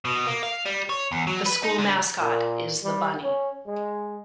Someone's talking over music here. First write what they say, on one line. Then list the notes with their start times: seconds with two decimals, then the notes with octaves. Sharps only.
The school mascot is the Bunny.
0.05 B2
0.27 A#3
0.43 F5
0.66 G3
0.90 C#5
1.12 E2
1.27 F#3
1.46 B4
1.64 D#4
1.79 D3
2.20 A#2
2.84 G3
3.23 C#4
3.67 G#3